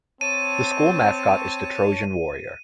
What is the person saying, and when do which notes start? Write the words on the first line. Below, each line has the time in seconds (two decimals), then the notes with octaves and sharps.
The school mascot is the Trojan Warrior.
0.21 C4 C#5 A5 D#7